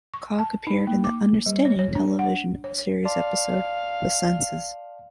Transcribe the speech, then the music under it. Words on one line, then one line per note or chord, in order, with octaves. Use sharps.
Cog appeared in the "Understanding" television series episode "The Senses".
C#6
A5
D#4
A#3
D6
G3
C#5
C#5
D4
F#5
C#5
D5 F5 A5 C6